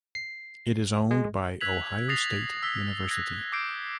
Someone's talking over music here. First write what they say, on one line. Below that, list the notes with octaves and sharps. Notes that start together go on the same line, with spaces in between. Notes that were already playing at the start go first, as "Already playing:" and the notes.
It is owned by Ohio State University.
C7
G#3
E6 F#6 G#6 B6 F7 F#7
D#6 E6 A6 A#6 C7 F7
E6 B6 G7
F#6 G#6 A#6
D6 E6 G6 A#6 C7 D7